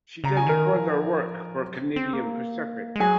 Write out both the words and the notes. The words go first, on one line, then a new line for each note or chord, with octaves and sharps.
She did further work for Canadian Pacific.
C#3 A#5
G#5
D#3 A#4 A#5
F3
F#3
C4
C4
A#3
G#3
F#3 G#4 G#5